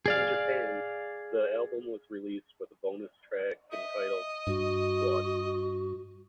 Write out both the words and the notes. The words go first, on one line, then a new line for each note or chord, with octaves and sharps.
In Japan, the album was released with a bonus track entitled "Flood".
G#4 D5 F5
D#5 E5
G2 F#4